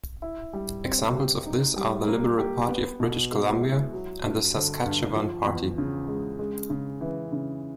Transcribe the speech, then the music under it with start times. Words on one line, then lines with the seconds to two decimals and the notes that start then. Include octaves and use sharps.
Examples of this are the Liberal Party of British Columbia and the Saskatchewan Party.
0.22 E4
0.53 G3
0.85 C4
1.15 G4
1.46 D#4
1.76 G3
2.08 A#3
2.38 G4
2.69 B3
3.00 B2
3.31 G#3
3.62 E4
3.93 F#3
4.23 G2
4.54 D3
4.85 G2
5.16 F3
5.46 E2
5.78 C#3
6.08 G#3
6.39 G#3
6.70 C#3
7.01 E3
7.32 C#3